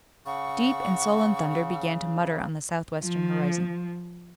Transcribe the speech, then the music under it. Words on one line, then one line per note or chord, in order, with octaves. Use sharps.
Deep and sullen thunder began to mutter on the southwestern horizon.
C#3 F#5 C#6 E6
F3